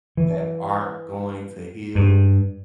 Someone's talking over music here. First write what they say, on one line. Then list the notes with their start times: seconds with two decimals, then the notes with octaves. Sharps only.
that aren't going to heal
0.17 E3
1.95 G2